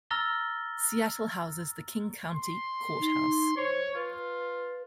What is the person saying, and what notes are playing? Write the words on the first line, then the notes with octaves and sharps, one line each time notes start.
Seattle houses the King County Courthouse.
A#5 E6 F6 A6 A#6 G7
C6
D#4
C5 C#5
F4 B4